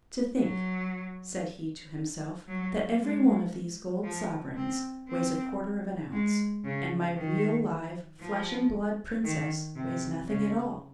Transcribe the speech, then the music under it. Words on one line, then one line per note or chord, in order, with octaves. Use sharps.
"To think," said he to himself, "that every one of these gold sovereigns weighs a quarter of an ounce, and my real, live, flesh-and-blood princess weighs nothing at all!"
F#3
F#3
G#3
F3
C4
C4
G#3
C#3
D#3
F3
D#3
C3
C#3